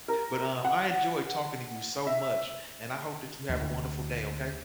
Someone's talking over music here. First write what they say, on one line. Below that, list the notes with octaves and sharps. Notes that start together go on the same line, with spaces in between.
but, um, I enjoyed talking to you so much, and I hope that you have a wonderful day, okay?
A#4
F#5
E5
D2